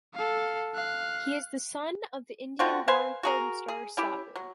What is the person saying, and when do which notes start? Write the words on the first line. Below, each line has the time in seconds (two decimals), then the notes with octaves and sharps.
He is the son of Indian-born film star Sabu.
0.14 A4 F5
0.74 F5 F#6
2.59 D3 C4 F4 F#4
2.88 B4 C5 F5 G#5
3.23 F#4 G#4 A#4
3.68 G#4
3.97 C#4 E4 G4
4.36 F#3